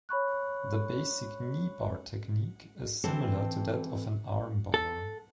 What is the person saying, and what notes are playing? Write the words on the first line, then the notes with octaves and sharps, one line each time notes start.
The basic kneebar technique is similar to that of an armbar.
C#5 B5 C#6 F#6
E3 C4 A4 A5
A4